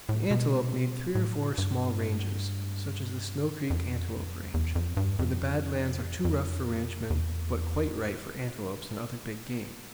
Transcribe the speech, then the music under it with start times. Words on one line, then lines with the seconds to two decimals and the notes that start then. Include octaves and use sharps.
The antelope need three or four small ranges, such as the Snow Creek Antelope Range, where the bad lands are too rough for ranchmen, but quite right for antelopes and other big game.
0.09 A2
0.31 B2
1.15 A2
1.58 G2
3.70 F2
4.54 E2
4.75 F2
4.97 G2
5.19 F2
6.25 F2
7.10 E2